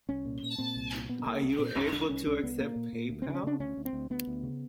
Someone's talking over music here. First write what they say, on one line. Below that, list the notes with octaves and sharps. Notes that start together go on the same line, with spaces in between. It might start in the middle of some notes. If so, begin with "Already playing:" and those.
Are you able to accept Paypal?
C2 C#4
A#2
A#2
A#2 C4
C2
A#2
A#2 B3
C2 A#3
C2 C#4
A#2 C4
C2 C#4
C2 D4
C2 C#4
C2 C#4
C2 B3
A#2 A#3
A#2
A#2
D2
C4
C#3 D4
C#4
C#3 D4
D2 C#4
D2
C4
D2
D2 B3
D2
C#3